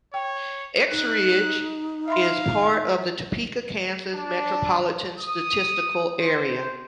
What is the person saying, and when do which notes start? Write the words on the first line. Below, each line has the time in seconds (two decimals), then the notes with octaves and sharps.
Eskridge is part of the Topeka, Kansas Metropolitan Statistical Area.
0.14 C#5 G5
0.91 D#4 F#6
2.08 E5 F5 B5 C6
4.13 D4
5.19 D#6
6.20 C5